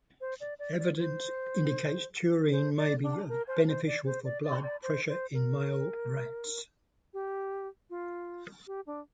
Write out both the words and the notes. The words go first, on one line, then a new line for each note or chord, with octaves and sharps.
Evidence indicates taurine may be beneficial for blood pressure in male rats.
C5
D5
D5
D5
C5
C5
D5
D4
A#4
C5
C5
D5
C5
D5
D5
D5
C5
C5
A#4
G4
F4
G4
D4